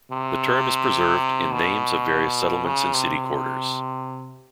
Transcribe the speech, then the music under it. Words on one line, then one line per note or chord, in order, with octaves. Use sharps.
The term is preserved in names of various settlements and city quarters.
C3
B2
C#3
C3